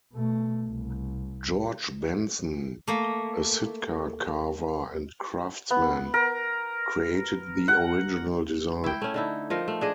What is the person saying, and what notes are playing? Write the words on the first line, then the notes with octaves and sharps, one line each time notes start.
George Benson, a Sitka carver and craftsman, created the original design.
B2 A3
C2
A3 A#3
B3
A#4
F#5
E4 G5
A3 C#4
D3 D#4 E4
F3 D#4 A#4
A3
D4 G#4 D#5